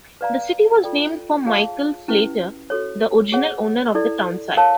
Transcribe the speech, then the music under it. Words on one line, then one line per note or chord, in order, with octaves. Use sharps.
The city was named for Michael Slater, the original owner of the town site.
B4 D5 F5 A#5
F4 A4 D5 G5
F4 G#4 C#5 F5 A5
C#4 E4 G4 B4
F#4 A4 C#5
G#4 C#5 F#5
E4 A4 D5
A#4 C#5 F5 A5